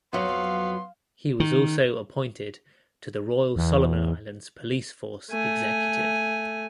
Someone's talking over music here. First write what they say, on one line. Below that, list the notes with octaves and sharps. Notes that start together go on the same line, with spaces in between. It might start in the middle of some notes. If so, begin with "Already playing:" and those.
He was also appointed to the Royal Solomon Islands Police Force Executive.
F2 F#3 B3 F5 C6
D#3
E2
A3 G#5